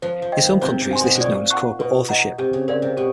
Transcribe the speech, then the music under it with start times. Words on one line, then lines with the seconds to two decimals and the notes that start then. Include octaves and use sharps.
In some countries, this is known as corporate authorship.
0.02 F3 C5
0.22 F3
0.32 D#5 G5
0.42 D#3
0.62 C3 C5
0.81 C3
0.91 F5 G#5 C6
1.01 B2
1.15 B2
1.20 A#2 D5
1.50 F#5 A5 C#6 F#6
1.79 B2 B4
2.09 D#5 F#5 A#5
2.38 C3 G4
2.53 C#3
2.68 C#3 A#4 D5 F5
2.82 C3
2.97 B2 G4